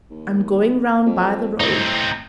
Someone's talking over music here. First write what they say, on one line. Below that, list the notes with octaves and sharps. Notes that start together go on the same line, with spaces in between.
I'm going round by the road.
D#2
F2
A2 C4 D#4